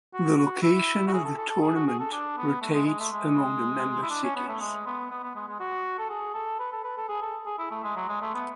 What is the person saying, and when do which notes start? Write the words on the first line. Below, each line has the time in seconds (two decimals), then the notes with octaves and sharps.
The location of the tournament rotates among the member cities.
0.14 F#4
0.38 F#4
0.63 E4
1.07 F#4
1.13 G#4
1.25 A4
1.38 A4
1.50 A4
1.62 G#4
1.76 F#4
1.87 G#4
2.00 A4
2.12 D4
2.37 B3
2.62 A3
2.74 G#3
2.87 G#3
3.00 A3
3.12 G#3
4.02 E4
4.11 D4
4.24 C#4
4.36 B3
4.49 A3
4.61 G#3
4.86 B3
5.10 B3
5.23 B3
5.36 G#3
5.48 G#3
5.60 F#4
5.99 A4
6.10 G#4
6.34 A4
6.59 B4
6.72 A4
6.84 B4
6.98 A4
7.09 G#4
7.22 A4
7.46 G#4
7.59 E4
7.71 A3
7.84 G#3
7.96 F#3
8.09 G#3
8.22 A3
8.34 B3